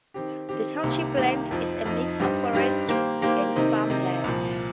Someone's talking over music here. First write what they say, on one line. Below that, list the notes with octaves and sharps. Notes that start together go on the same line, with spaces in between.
The township's land is a mix of forest and farmland.
D#3 C4 G4
D#3 C4 G4
C2 C3 D#3 A#3 G4
C2 C3 D#3 A#3 G4
F2 F3 D#4
F2 F3 D#4
G2 G3 D#4 G4 C5
G2 G3 D#4 G4 C5
D#3 A#3 G4 C5
D#3 A#3 G4 C5
C3 D#3 C4 D#4
C3 D#3 C4 D#4
C2 A#2 F3